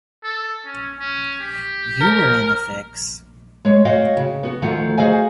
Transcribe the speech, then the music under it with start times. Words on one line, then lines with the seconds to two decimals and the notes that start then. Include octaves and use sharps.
You were in a fix.
0.24 A4
0.66 C#4
1.00 C#4
1.41 G4
2.01 A#4 F6
3.65 G#3 C#5
3.85 F#4 C#5 D#5 F5 G5
4.17 C#3
4.43 B3 F#4
4.62 D2 D#3 F3 A3 F#5
4.97 F#4 G#4 C5 D#5 F5 G#5